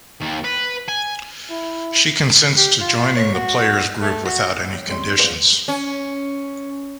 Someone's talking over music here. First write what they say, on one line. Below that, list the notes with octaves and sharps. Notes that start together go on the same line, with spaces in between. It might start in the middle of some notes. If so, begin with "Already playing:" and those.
She consents to joining the player's group without any conditions.
D#2
B4
G#5
E4
G4
F4
C#5
F#4
A3
F#4
A#1 C#5
G3 G#3 C4 C#4 E4 G4 C6
F3 B3 C4 G#4 B4 D5
C#4